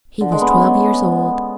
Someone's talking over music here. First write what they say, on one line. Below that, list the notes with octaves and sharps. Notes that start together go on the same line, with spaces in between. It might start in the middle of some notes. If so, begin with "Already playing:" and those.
He was twelve years old.
D3
G#3
B3
C#4
B3